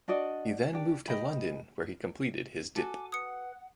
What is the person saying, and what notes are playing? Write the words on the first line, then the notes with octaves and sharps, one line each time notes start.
He then moved to London where he completed his Dip.
D4 F#4 D5 D#5
D4 G4
D#5 G5 B5
F#4 A4 G#5 D6
B4 F#5 D#6 C#7